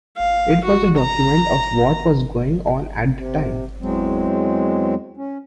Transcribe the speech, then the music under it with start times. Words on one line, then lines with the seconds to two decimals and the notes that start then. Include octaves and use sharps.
It was just a document of what was going on at the time.
0.18 F5
0.65 F#4
0.99 A#5
3.17 C3
3.81 E2 F#3 G#3 C4
5.17 C#4